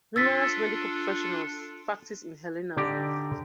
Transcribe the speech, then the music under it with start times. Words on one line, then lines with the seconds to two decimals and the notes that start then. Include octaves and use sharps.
Numerous medical professionals practice in Helena.
0.16 D4 F4 A4 E6 A6 B6
2.77 D3 D#4 G4 D5 A#5